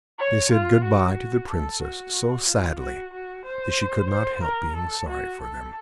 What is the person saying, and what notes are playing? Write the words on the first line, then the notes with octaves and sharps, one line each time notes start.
They said good-by to the Princess so sadly that she could not help being sorry for them.
C#5
F4
F#4
A4
F#4
F4
F#4
F#4
C5
C5
A#4
A4
F#4
A4